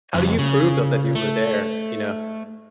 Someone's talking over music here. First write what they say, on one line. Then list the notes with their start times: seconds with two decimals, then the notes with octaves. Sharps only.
how do you prove, though, that you were there, you know?
0.14 F2 C#3
0.39 C#3
1.15 A3